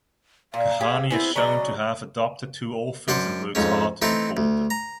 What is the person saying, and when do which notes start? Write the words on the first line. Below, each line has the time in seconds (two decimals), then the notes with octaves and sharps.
Kahani is shown to have adopted two orphans and works hard to support them.
0.54 A#2 F5
0.80 G4 G#4
1.11 B3 C4 E4 G#4
1.36 C#3 F#3 D5 D#5
3.08 F#2 D4 C5 F#5
3.55 F2 G#2 C#4
4.02 E3 A3 C4 D#4 A4
4.37 D2
4.70 A#5